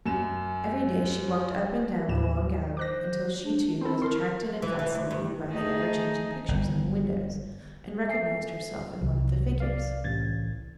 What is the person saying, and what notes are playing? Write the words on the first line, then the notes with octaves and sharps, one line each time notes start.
Every day she walked up and down the long gallery, until she too was attracted and fascinated by the ever-changing pictures in the windows, and recognised herself in one of the figures.
F#2 E7
D#2 A2 E7
C5 D6 F#6 A#6
D4
C4 E4 A4
A#4 C6
E3
E3
D2
G2
A3 D#4 G#4
G1
A4 E5 G#5 C7
C2
D5 F5
A1 G#6 A6